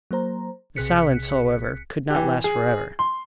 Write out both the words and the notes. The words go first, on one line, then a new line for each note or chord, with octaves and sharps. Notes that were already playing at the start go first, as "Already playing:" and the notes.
The silence, however, could not last forever.
F#3 A#3 C5 A#5
B1 C3 G#4 F#6 B6 C#7
E3 G4
G#4
C6